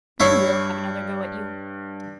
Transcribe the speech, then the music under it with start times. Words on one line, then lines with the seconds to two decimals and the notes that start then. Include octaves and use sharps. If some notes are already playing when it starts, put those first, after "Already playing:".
Then we'll have another go at you.
0.20 G2 E4 C#5 C7